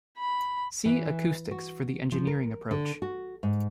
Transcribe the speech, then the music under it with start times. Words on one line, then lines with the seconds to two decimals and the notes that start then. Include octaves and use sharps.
See acoustics for the engineering approach.
0.18 B5
0.85 E3
1.51 F#4
2.12 F3
2.27 A#4
2.71 D3
3.02 F#4
3.43 G#2